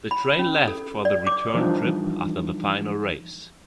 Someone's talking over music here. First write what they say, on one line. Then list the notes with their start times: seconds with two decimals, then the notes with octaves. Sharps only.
The train left for the return trip after the final race.
0.11 B5
0.39 C#4
0.68 A4
1.05 D5
1.27 D6
1.54 E3 F3 G3 D4 D#4